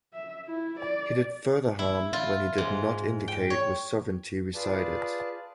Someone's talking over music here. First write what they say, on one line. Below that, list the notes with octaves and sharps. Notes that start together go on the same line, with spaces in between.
He did further harm when he did not indicate where sovereignty resided.
E5
E4
D5
E4
F4
G#2
G5
C#5
F4 G#4 B4 D5 A5